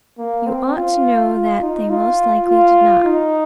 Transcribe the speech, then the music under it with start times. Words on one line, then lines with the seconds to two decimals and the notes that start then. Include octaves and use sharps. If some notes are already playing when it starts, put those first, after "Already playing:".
You ought to know that they most likely did not.
0.19 A#3
0.47 C4
0.75 F4
1.32 F4
1.62 D#4
1.90 F4
2.47 F4
3.05 D#4